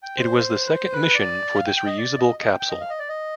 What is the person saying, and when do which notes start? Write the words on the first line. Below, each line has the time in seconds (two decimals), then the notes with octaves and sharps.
It was the second mission for this reusable capsule.
0.03 G5
0.17 C5
0.67 B4
0.72 C5
0.93 B4
1.14 D5
1.55 F5
1.66 G5
1.77 G5
1.86 D#5
1.98 D5
2.18 D#5
2.39 D#5
2.50 G5
2.60 G5
2.70 D#5
2.81 F5
2.90 D#5
2.99 D5
3.09 D#5